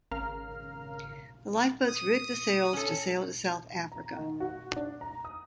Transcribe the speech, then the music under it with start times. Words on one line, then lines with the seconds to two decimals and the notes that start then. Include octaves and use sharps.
The lifeboats rigged the sails to sail to South Africa.
0.11 G#1 C#3 A#4 F5 A#5 F6
1.88 D#6
2.73 C#4 A4
3.92 A#5
4.17 D#3
4.40 F#4
4.76 D4
5.01 A#5
5.25 D#6